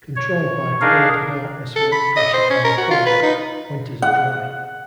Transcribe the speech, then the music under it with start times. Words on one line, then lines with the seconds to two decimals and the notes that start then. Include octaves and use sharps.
Controlled by cold high atmospheric pressure from the polar, winters are dry.
0.16 C#5
0.81 D4 D#4 G#4 A#4 F5
1.76 A4
1.92 B5
2.16 D#5
2.34 C5
2.50 C#4
2.64 A#4
2.77 F#4
2.91 F4
3.06 B4
3.23 D#4
4.02 F#5